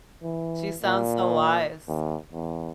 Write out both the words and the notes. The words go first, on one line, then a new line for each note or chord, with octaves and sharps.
She sounds so wise.
E3
A#2
D#2
E2